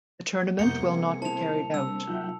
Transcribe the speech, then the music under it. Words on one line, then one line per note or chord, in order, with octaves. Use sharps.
The tournament will not be carried out.
C2 F2 A#3 B3 G6 C#7
C4 G#4
E4 C5 A5 F7
G3 C4 D4 E6
F#3 D#4 F4 E5 F#5 G5